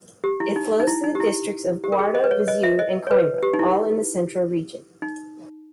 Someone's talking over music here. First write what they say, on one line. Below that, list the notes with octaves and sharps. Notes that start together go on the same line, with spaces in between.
It flows through the districts of Guarda, Viseu and Coimbra, all in Centro Region.
G4
E4
D#4
D#4
E4
D#4
G4
E4
G4
A#4
G#4
D#5
B4
C#5
D#5
E5
D#5
C#5
B4
G4
D#4
E4
D#4